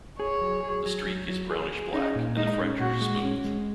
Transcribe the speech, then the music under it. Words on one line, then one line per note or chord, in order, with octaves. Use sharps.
The streak is brownish black and the fracture smooth.
G#4 C#5
F#3
G#4
F#3
F#3
F#3
G#4
G#4
C#4 D#4
A#2
G#3 D#4
C#4
A#2 F#4
G#3
C#4
G#3